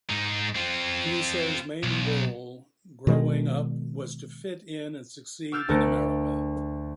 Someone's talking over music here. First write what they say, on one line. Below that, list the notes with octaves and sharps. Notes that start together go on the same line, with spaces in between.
Neisser's main goal growing up was to fit in and succeed in America.
G#2 D#4
C4 F4
B1
B2 D#3 G#3
D6 E6 F6 G6 A6 C7
D2 A3 A#4 F#6 C#7